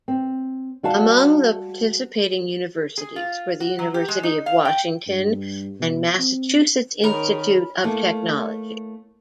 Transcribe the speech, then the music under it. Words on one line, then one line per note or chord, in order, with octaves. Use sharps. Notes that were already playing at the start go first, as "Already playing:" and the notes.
Among the participating universities were The University of Washington, and Massachusetts Institute of Technology.
C4
G3 F#4 F5 A5
G#4
F4
F#4
F#3
G4
G#3
D#4
F5
G5
G2
B2
C4
D#3 C#4 A#4 B5
A3 A#3 C#4 E4